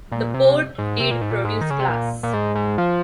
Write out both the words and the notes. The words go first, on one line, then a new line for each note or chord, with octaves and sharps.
The port did produce glass.
A#2
C3
G#2
C3
A#2
G#2
A#2
G#2
D#3
C#3
C3
A#2
A#2
G#2
G#2
F3